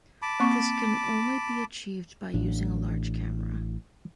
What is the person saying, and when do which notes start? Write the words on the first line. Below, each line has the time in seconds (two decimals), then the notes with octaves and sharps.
This can only be achieved by using a large camera.
0.22 A5 B5 D6
0.40 A#3 C4 C#6
2.34 A1 A2 D4